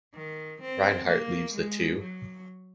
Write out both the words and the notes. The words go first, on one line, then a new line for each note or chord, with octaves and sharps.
Reinhardt leaves the two.
D#3
C4
A#3
G#3
F#3